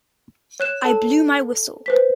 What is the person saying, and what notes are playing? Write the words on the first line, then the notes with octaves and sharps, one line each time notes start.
I blew my whistle.
C#5 F#6 E7
A4 A5
B4 C5 B6